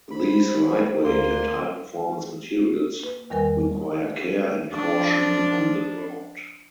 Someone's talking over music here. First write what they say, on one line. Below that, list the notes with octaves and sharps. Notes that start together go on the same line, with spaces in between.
These lightweight and high performance materials require care and caution on the ground.
C5 B5
D2 A#3 C6
A#3 B4
E2 D#3 G3 A#4 B4 G#5
F3 D4